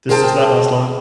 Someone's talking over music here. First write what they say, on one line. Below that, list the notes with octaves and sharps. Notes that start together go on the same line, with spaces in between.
This does not last long.
G#4 A#4 C5 G5 A5